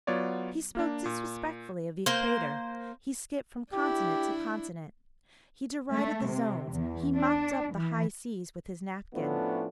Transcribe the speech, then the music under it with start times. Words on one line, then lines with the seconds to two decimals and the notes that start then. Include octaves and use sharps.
He spoke disrespectfully of the equator, he skipped from continent to continent, he derided the zones, he mopped up the high seas with his napkin.
0.07 F#3 B3 F4 C#5 D5
0.75 A#3 D4
1.06 A#2
2.06 A#3 C5
3.73 D4 E4 G4
5.93 A3
6.25 C3
6.70 E2
7.16 D4
7.73 E3
9.14 A2 F3 A3 B3 C#4 D4